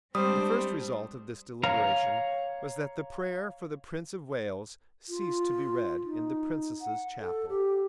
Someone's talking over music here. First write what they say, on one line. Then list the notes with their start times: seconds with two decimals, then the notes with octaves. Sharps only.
The first result of this deliberation was that the prayer for the Prince of Wales ceased to be read in the Princess's chapel.
0.15 G3 G#3 C4 D4 C5 D#6
1.63 C#5 F5 A#5
5.09 F4
6.04 D#4
6.81 F#5
7.20 A4
7.49 G4